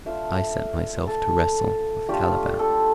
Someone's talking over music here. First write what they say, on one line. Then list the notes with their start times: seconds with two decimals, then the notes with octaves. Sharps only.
I set myself to wrestle with Caliban. . . .
0.06 A3 D4 F4 E5
1.07 A4
2.09 A3 D4 F4 G4
2.59 A4